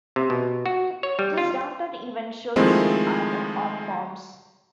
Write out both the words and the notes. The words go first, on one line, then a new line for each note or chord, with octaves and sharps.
This downtown event showcases art of all forms.
C3
B2
F#4
C#5
G3
F4
D#3 F3 G#3 A3 C4 E4